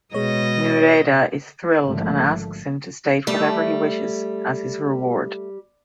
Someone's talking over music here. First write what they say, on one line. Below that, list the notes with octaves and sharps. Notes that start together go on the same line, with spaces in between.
Nouredda is thrilled and asks him to state whatever he wishes as his reward.
B2 G#3 C#5 D#5
G#1 D3 F3 A3
G3 A3